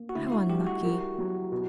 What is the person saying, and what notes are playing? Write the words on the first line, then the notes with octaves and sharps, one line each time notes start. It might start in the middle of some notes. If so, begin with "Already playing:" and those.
How unlucky!
Already playing: A#3
F#4
D2 E4
F#4
G3 G4
F#4
A#4
F#3
B2